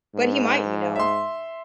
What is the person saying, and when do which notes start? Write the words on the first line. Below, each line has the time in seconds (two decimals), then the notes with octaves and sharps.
But he might, you know.
0.15 G#2
0.96 E5 C6